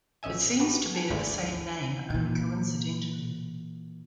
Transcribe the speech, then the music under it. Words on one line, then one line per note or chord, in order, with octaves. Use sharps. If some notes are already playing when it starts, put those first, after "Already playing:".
It seems to bear the same name only coincidentally.
A1 C#4 D#5 E5 G#5
F#4 G4 B4 F#5
G#5 A5
G#1 D2 G#2 D3 E4 D5
A#2 E3